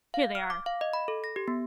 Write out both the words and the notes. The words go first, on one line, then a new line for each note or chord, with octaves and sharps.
Here they are!'
F5
F6
D6
F5
D#5
B5
A4
A#6
G4
B3